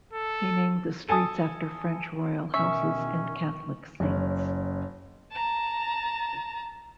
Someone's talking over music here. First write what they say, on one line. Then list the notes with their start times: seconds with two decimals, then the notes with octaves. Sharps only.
He named the streets after French royal houses and Catholic saints.
0.13 A4
1.09 A4 G#5 A5 D#6
2.54 B2 D#3 C#4 E5 C#6
4.00 F#1 C#4
5.32 A5 A#5